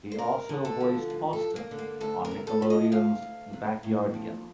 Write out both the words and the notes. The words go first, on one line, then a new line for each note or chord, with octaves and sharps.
He also voiced Austin on Nickelodeon's "The Backyardigans".
C5
G2 A#4
D3
A4
F3
G2
A4
G2
A#3
D3
A#3
D2 A4
A#4
C3
A4
F3
D#5
D2 F5
D2
C3
A2
F3